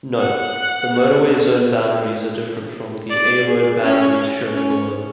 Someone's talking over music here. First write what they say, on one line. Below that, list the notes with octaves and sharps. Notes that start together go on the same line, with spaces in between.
Note: The motorway zone boundaries are different from the A-road boundaries shown below.
F#5
D5
G#4
C#4
C#4